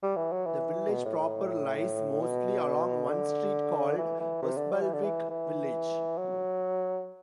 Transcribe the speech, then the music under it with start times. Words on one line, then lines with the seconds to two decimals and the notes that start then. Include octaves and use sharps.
The village proper lies mostly along one street called Osbaldwick Village.
0.03 G3
0.16 E3
0.32 F#3
0.46 E3
0.90 B2
1.05 A2
1.19 A2
2.22 B2
3.10 D3
3.98 E3
4.20 E3
4.42 C3
4.57 D3
4.71 F#3
4.82 E3
4.93 D3
5.03 E3
5.30 E3
6.18 F#3